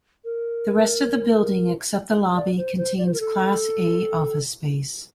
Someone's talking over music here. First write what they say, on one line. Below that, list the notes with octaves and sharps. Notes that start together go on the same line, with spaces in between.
The rest of the building, except the lobby, contains class-A office space.
A#4
D5
C5
C5
D5
C5
A#4
A4